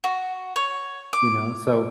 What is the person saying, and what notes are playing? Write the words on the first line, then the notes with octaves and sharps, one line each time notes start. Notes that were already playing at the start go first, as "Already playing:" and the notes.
You know? So
F#4
C#5
D6